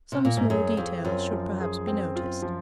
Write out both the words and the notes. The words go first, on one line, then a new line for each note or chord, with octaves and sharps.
Some small details should perhaps be noticed.
C3
A#2
G#2
F#2 G#4
F2 C4
F#2 F4
F3
G#4
C4
F4
F3